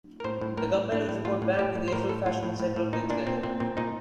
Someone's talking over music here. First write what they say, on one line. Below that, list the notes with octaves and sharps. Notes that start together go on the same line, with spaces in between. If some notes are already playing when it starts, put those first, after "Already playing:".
The couple would report back in the usual fashion several weeks later.
A#4
A2 C5
A2
A2 A#4
A2
A2 D4
A2
A2 F4
A2
A2 G4
A2
C5
A2 A#4
A2 A4
A2 F4
A2
A2
A2
A#2 D#4
A#2 D4
A#2 C4
A#2 C4
A#2 C4
A#2 D#4